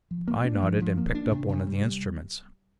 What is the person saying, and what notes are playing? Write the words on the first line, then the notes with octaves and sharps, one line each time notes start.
I nodded, and picked up one of the instruments.
F3
A#3
D4
F3
F3
A#3
D4
C3
C3
G3